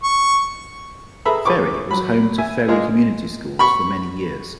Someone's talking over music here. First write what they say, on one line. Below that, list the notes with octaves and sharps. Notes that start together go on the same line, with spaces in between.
Ferry was home to Ferry Community Schools for many years.
C#6
G#4 A4 B4 E5 A#5 B5
G#4 B4 C#6 D6
F#3 B5
E5 G#5
G#3 A#3 F4 G#4
B5 C#6